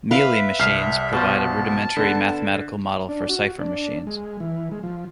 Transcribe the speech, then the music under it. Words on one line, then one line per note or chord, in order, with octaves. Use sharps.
Mealy machines provide a rudimentary mathematical model for cipher machines.
B4 E5 F5
C2 F6 C7
B2 F3 A5
D3 B3
D4
F#4
D4
G#3
E3
G#3
F3